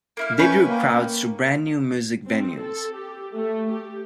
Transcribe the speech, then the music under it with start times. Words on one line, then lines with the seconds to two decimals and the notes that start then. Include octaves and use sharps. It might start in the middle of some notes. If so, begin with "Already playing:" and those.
They drew crowds to brand new music venues.
0.17 A#3 E4 F6
0.38 C#4 B4 G5
0.68 A#3
2.27 C4
2.60 A4
2.95 G4
3.34 A3
3.70 G4